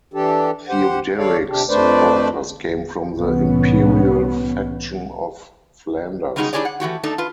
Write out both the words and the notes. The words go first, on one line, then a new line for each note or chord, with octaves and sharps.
Theoderic's supporters came from the Imperial faction of Flanders.
E3 D4 G4 A4
G4 C5 F#5
A4 C#5 D5 F5
C3 D4 G4
F2 A3 D4 B4 C5 D5
C2 A2 E3 B3 C#4
C#3 G3 G#3 D#4 F#4 G#4
D4 E4 G4 G#4 C#5 D5
F#5
E3 A3 F#4 G4
A3 D4 D#4 A4
F4 B4